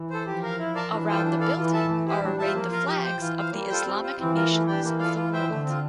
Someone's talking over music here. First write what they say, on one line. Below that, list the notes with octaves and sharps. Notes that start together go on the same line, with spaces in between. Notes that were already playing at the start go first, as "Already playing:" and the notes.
Around the building are arrayed the flags of the Islamic nations of the world.
Already playing: E3
A4 C5
F3 G4
A#4 F5
E4
A#4 D5 F5 A5
E3 D4
F4 A4 C5 G5
D4
A4 D5 F5
E3 F4
A4 E5 A5
A3
E4 G4 C5
G3 D4
F4 C5 E5 A5
F3 A#3
F4 A#4 F5
G4
C5 G5
E3 F4
C5 F5
G3 A#3
F4 A4 C5 G5
C4
F4 C5
E3 C4
F4 A#4
A3
D4 G4 D5 G5
E3 A#3
F4 A4 D5 F5
F4
C5 E5 G5
D3 A3
C4 F4